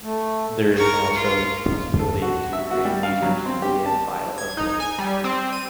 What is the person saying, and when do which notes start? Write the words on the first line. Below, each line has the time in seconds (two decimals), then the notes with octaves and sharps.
There is also the possibility to create users via file upload.
0.02 A3
0.76 A#4 C#6
1.14 F4
1.99 A4
2.22 F#4
2.53 E5
2.71 F#4
2.85 G3
3.03 F5
3.22 F#3
3.46 C4
3.62 G4
3.86 A5
4.38 G#6
4.57 D#4
4.80 G#5
4.98 G3
5.24 C4
5.53 D#7